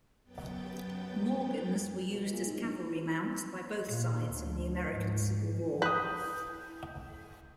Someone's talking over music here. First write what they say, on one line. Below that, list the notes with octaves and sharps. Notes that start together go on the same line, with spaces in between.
Morgans were used as cavalry mounts by both sides in the American Civil War.
F#2 F#3 B3 G5 G6 A6
B2
A#2
G#2
A#1
A#2
D2
G#2
B4 D#6 G6